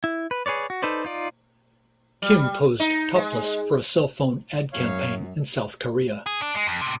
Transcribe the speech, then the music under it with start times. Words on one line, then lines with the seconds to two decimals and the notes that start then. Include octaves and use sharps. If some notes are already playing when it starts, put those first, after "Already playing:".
Kim posed topless for a cell phone ad campaign in South Korea.
0.04 E4
0.31 B4
0.46 G#4 B4 C#5 D5
0.70 F#4
0.82 D#4 A4 B4 C5 D5
1.05 D#4 F4 D5
2.22 G3
2.80 D#4
3.15 G#3
4.73 F#2 C#5 F5
6.26 G#4
6.41 D4
6.55 G#3
6.67 F2
6.81 A2 C3